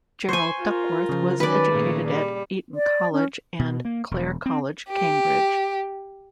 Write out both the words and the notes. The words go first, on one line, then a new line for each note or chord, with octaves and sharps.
Gerald Duckworth was educated at Eton College and Clare College, Cambridge.
C5 G#5 C6 C#6
F4 A#4
C#3 F3
D#3 F#3 C#4 B4 D5
A#2 C#3 A3
G3
D5
C#4
B2
A#3
E1
C4
G4